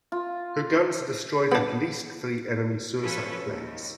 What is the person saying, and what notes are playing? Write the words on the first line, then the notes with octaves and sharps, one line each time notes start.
Her guns destroyed at least three enemy suicide planes.
F4
B3 D4
F3 C#4 A4 B4
D#2